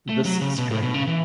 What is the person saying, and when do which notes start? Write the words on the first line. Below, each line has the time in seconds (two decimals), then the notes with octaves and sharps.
This stream.
0.09 A3
0.25 F#3
0.41 C#3
0.58 B2
0.70 A2
0.83 B2
0.94 C#3
1.07 E3